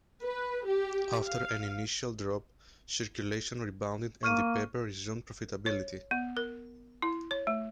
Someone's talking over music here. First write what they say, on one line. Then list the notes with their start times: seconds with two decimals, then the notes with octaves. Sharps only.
After an initial drop, circulation rebounded and the paper resumed profitability.
0.23 B4
0.66 G4
1.25 F5
4.23 A#3 C#6 F6 D#7
5.66 C#5
6.11 B3
6.37 A#4
7.02 E4
7.31 C#5
7.47 A3